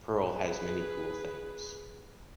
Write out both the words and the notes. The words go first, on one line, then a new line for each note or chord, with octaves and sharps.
Perl has many cool things.
G#4 B4